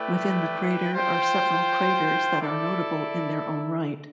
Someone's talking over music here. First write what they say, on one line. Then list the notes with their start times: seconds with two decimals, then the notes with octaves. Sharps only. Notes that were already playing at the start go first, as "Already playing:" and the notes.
Within the crater are several craters that are notable in their own right.
Already playing: A3 E4 B4 D5 G5
0.92 F4 C5 G5
2.41 E4 A4 D5